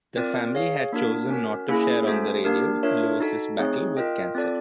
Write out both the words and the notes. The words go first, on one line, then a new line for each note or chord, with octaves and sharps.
The family had chosen not to share on the radio Lewis' battle with cancer.
C4 F4 A#4 D5
G#4 C#5 F5
A#3 D4 F#4 A#4
C#4 F#4 A#4
A#3 C#4 E4 G#4
A3 C#4 F#4 A4 C5
A#3 D4 G4 A#4
D4 F4 A#4 C#5 E5
D#4 F#4 A4
A3 C4 D#4 G#4 C#5
F4 A#4 D#5 G5
C4 F4 A4 D5